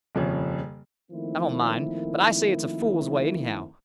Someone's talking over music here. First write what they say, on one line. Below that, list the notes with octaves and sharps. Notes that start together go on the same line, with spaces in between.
I don't mind; but I say it's a fool way, anyhow.
D#1 F2 C#3
D#3 F3 A3 A#3 C4 E4